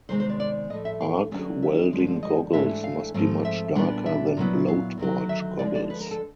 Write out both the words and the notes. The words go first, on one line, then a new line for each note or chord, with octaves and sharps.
Arc welding goggles must be much darker than blowtorch goggles.
C3 D#3 G#3 B3 C5
C5
D5
D5
A2 F3 A3 D#5
E5
F5
D2 D3 F#3 A3 C#4
E5
G2 D3 F3 G#3
D#5
G#2 E3 A3 D4 E5
F5
G#2 F3 A3 C4 F4
E5
A#2 G3 B3 D4 F4
E5
A#2 F#3 B3 E4
F5
D2 C3 D#3 F#3
E5
D2 D3 F3 G#3 D5
D5
B4
A#4
A4